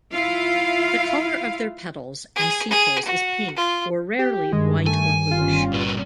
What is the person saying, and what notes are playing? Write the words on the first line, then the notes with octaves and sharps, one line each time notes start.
The color of their petals and sepals is pink or rarely white or bluish.
E4 F4 F5
G#4
G#4
F#4
F4
G4
G2 D#3 G#3
A3 G#5
G1 G3 C#4 F4
A#2 B3